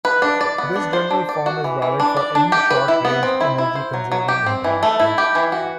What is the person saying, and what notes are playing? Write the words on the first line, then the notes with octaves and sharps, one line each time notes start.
This general form is valid for any short-ranged, energy-conserving interaction.
B4
D4
D5
B3
D4
C5
D4
D5
F#4
E3
E3
D4
D5
D4
G4
B4
E4
B3
C4
E4
E4
C5
F#3
F#3
G4
C4
E3
A3
E4
G4
E3
F#4